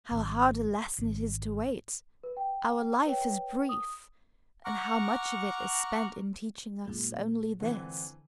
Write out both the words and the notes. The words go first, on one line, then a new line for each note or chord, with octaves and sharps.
How hard a lesson it is to wait! Our life is brief, and how much of it is spent in teaching us only this!
G#1
G#1
B4
G5
B4 C#5 G5
D#6
F#5 A#5 C#6 D6 F6
F#2 A#2 G#3
D3 E3 C4